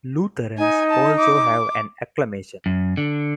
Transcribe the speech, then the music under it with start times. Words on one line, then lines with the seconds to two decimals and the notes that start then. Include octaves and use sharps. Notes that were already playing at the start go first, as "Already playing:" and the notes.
Lutherans also have an acclamation.
0.58 D#4 G#5
0.90 A5
1.18 D6
2.66 F#2
2.97 D3